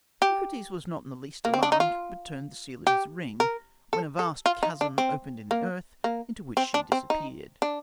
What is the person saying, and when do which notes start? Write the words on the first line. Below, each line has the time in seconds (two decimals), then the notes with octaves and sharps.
Eucrates was not in the least alarmed, but turned the seal of his ring, when a vast chasm opened in the earth, into which she disappeared.
0.22 G4
1.45 A#3
1.54 C4
1.63 D4
1.72 D#4
1.80 F4
2.87 G4
3.40 A#4
3.93 A4
4.19 A4
4.46 F4
4.63 D#4
4.81 D4
4.98 C4
5.51 A#3
6.04 A#3
6.57 C4
6.74 D4
6.92 C4
7.10 D#4
7.62 D4